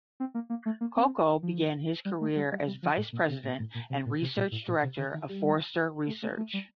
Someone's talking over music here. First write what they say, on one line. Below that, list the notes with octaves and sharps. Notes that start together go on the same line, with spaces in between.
Kolko began his career as vice president and research director of Forrester Research.
C4
A#3
A#3
A3
A#3
C4
F3
G3
A3
G3
G3
G3
F3
A2
A#2
C3
A#2
A2
A#2
C3
A#2
C3
A#2
A2
A#2
C3
D3
D#3
G3
A3
A3
A3
G3